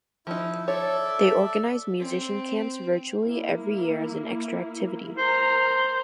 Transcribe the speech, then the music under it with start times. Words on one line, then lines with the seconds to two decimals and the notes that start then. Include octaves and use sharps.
They organize musician camps virtually every year as an extra activity.
0.27 F3 D#4 E4
0.68 A4 C#5 D5 E5
1.99 C4
3.21 A#3 E4
5.18 A#4 C5 A#5